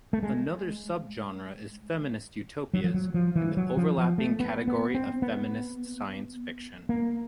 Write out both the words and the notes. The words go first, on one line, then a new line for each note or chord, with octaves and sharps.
Another subgenre is feminist utopias and the overlapping category of feminist science fiction.
A3
G#3
F#3
F3
F#3
F3
E3
F#3
F3
F3
A3
B3
B3
C4
B3
A#3